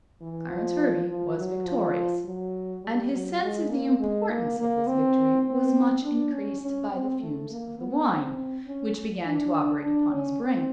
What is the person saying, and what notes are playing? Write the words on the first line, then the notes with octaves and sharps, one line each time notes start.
Clarence Hervey was victorious; and his sense of the importance of this victory was much increased by the fumes of the wine, which began to operate upon his brain.
E3
F3
F3
F#3
F3
F#3
G3
F#3
G#3
A#3
G#3
A#3
A#3
C4
C4
D4
C#4
C#4
C4
A3
A#3
B3
C4
C#4
D4
D4
C#4
C4